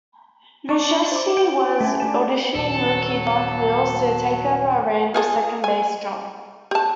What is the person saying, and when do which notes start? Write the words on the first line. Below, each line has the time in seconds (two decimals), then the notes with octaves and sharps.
Lucchesi was auditioning rookie Bump Wills to take over Randle's second base job.
0.69 D4 D#4 C#6 D6
1.12 C5 D6
1.37 G5
1.80 A3 C#4 G#5
2.00 D4 G4 A5
2.55 D#1 F#3 A4
5.14 F4 G#4 A4
5.64 G#5
6.71 G4 A5